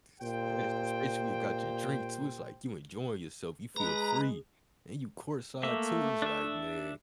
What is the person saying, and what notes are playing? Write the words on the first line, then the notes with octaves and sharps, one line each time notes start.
Sp especially when you got your drink too, it's, like, you enjoying yourself, you feel free, and you courtside too, it's, like, "Man"
A#2 G4 C5 G5
G#3 G#4 B4 A#5
A3 A#3 E5
D4 E5